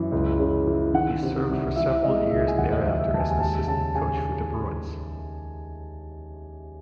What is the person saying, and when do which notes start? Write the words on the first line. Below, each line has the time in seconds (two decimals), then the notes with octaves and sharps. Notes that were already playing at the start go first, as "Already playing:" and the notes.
He served for several years thereafter as an assistant coach for the Bruins.
Already playing: F#2 E3
0.12 C#2
0.39 C#3
0.67 E3
0.94 D#3 F#5
1.22 C3
1.49 C2
1.76 E3 E5
2.03 G#3 D#5
2.31 C#2 E5
2.48 G#5
2.58 D#2 F#5
2.72 D#5
2.79 E5
2.86 F#3
3.00 E5
3.14 D#2 A5
3.20 G#5
3.31 G#5
3.40 G#3 A5
3.68 C#3 A5
3.95 C#3 G#5